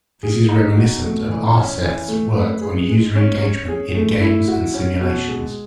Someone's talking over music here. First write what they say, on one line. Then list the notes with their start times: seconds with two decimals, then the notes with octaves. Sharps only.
This is reminiscent of Aarseth's work on user engagement in games and simulations.
0.23 G#4
0.49 D#4
0.76 B2
1.03 A3
1.29 E3
1.55 C#4
1.82 E3
2.08 A3
2.35 B4
2.61 G#4
2.89 G#3
3.15 C#4
3.42 C#5
3.68 G#4
3.94 A3
4.21 E4
4.47 F#4
4.74 C#4
5.01 B2
5.28 G#3